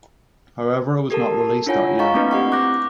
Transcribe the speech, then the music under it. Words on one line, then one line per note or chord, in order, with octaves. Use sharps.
However, it was not released that year.
G4 A4 A#4 A5
D4 E4 F4 C#5 F#5 G#5
D#5 F5 A#5 C#6
A3 A#3 C4 D4 E4 B4
C4 G4 F#5 C#6
D6 F#6 G6 A#6